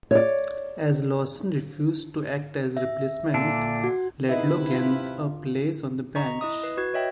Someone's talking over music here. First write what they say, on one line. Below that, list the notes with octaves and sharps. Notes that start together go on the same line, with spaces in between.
As Lawson refused to act as replacement, Laidlaw gained a place on the bench.
C#5 D5
E5
A#2 D3 D4
F#4
C3 B3 D#4 E4 G#4 B4 E5
F4
D#5 A#5 C#6 B6
E4 D#5 D#6
B4
F#4 B4 G#6
C#5 D#5 E5 G5